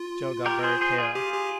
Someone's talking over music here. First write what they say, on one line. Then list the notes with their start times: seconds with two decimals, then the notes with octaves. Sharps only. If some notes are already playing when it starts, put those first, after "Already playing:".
Joe got very pale.
Already playing: F4
0.46 G4 A#4
0.63 G#4 C5
0.81 G#4 C5
0.98 F4 G#4
1.15 F4 G4 G#4
1.34 G4